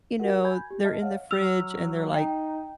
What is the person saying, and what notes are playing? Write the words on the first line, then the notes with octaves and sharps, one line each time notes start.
you know, they're in the fridge and they're, like
F#4 G4 A#4 F#5
G#5 B5 G6 G#6
G4
D#5 E5 A5 F6
C#5 F5 F#5
F#3 E6 F6 F7
D#4 G5